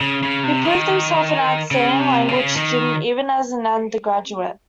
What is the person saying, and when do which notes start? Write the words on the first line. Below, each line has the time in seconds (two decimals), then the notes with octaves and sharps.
He proved himself an outstanding language student even as an undergraduate.
0.01 C#3
0.23 C#3
0.44 C3
0.65 D#3
1.71 C#3
2.00 C3
2.28 C#3
2.56 D#3